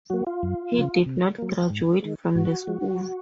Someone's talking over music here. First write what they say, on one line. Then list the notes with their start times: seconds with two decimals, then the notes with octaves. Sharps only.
He did not graduate from the school.
0.10 F#3 A#3 F#4
0.27 F4
0.43 F#2
0.74 C#3 F3
1.06 C3
1.38 F#3 A#3
1.70 G#2
2.03 D#3 G#3
2.35 G#2 F#4
2.67 F3 G#3